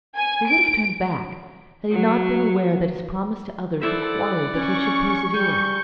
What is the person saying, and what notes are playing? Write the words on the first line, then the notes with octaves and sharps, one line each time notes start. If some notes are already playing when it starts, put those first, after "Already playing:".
He would have turned back had he not been aware that his promise to others required that he should persevere.
G#5
D7
F#3
E4 A4 C5 D5 E5 F#5
C#4 C#6
G3 G#5 G6